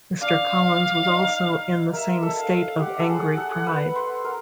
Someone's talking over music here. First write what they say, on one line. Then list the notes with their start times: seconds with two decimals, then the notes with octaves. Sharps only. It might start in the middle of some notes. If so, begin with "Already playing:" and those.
Mr. Collins was also in the same state of angry pride.
0.21 D4 F5
1.07 D#4
1.93 A#4 E5
2.23 A4
2.36 F5
2.79 G4 F#5
2.99 A4
3.09 G#4
3.37 A4
3.67 B4
3.96 C5
4.25 A#4